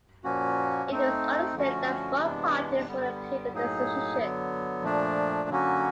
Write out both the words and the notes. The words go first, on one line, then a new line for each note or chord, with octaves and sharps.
It was understood that both parties would appeal the decision.
A#2 F3 A#3 C#4 F#4
A3 C4 D#4
D3 F3 A3 C#4 F#4
C3 E3 G#3 B3 D4
D3 G3 B3
A2 F#3 A#3 D#4 G#4
D3 F#3 B3
A#2 F3 A3 D4
D3 F#3 A#3 C#4 F#4